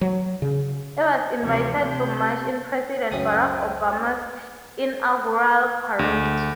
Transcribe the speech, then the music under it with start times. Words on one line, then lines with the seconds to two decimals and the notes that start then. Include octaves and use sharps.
It was invited to march in President Barack Obama's inaugural parade.
0.01 F#3
0.42 C#3
1.41 D2 C3 E3 F3 C#5
1.76 C3 G6
3.11 C#2 F#2 C#4 B4 C5 G5 D#6
5.99 D2